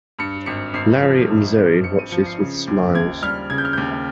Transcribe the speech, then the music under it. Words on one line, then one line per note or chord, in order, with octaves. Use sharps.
Larry and Zoe watch this with smiles.
G2 C#7
G#1 C#7
G#1 C7
F3
G2
G#1
G#1 C#7
D#7
F3 C#7
C7
C#3
D#2
D#2 G#6
G3 F6
C#3 G#6
G6
F6
D#2 G6